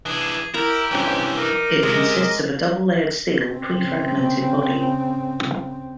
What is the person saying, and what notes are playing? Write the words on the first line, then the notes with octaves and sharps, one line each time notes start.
It consists of a double layered steel pre-fragmented body.
E3 D4 G#4
E4 G4 A#4 A#5
G2 E3 C4 C#4
D#4 A#4 D6
C3 G#3 D#5
C#3 C4